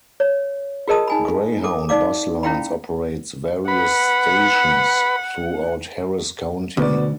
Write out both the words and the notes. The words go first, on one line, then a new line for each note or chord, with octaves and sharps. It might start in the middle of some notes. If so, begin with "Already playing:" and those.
Greyhound Bus Lines operates various stations throughout Harris County.
C#5
F4 G#4 A#4 D#5 A5 D#6
D#4 G#5 B5
A4 D6
D#4 D5 F5 D6
C#4 E4 F5 G5 B5
B4 F#5 B5
D2 B2 B3 D5